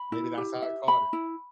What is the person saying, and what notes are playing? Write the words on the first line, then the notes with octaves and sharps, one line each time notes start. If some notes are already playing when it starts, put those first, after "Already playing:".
Maybe that's how I caught it.
Already playing: B5
E4
G4
E5
B5
E4